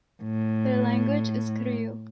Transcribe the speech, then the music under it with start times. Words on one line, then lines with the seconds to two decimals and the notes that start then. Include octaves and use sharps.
Their language is krio.
0.23 A2